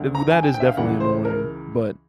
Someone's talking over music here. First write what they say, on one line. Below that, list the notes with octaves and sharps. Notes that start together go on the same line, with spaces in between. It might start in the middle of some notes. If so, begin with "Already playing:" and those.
w that is definitely annoying, but
Already playing: D2 D3
A#5
G#5
G5
G5
E5
F5
C#2 C#3 E3 F#5
C5
A#4